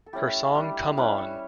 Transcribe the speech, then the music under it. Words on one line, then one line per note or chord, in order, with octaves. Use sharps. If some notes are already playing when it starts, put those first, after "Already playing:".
Her song Come On!
A4
A3 C#4 E4 G4
G3 D4
G3 C#4 E4 B4
C#5